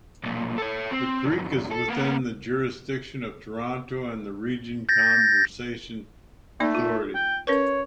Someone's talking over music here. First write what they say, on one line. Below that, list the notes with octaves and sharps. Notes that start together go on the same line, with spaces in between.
The creek is within the jurisdiction of the Toronto and Region Conservation Authority.
B1 A#2
A4 C#5
C4
E2 G2
A4
A#3 B3
G6 A6 A#6
A3 A#3 D#4 D5
F4
G5
C#4 A#4 B4 C#5